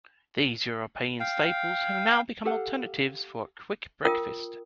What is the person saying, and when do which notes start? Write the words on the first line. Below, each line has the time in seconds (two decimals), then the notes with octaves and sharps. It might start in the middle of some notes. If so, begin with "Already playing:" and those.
These European staples have now become alternatives for a quick breakfast.
1.20 F5 G5
2.45 G4 A4 F5 F#5
4.05 F4 A#4 G5 D#6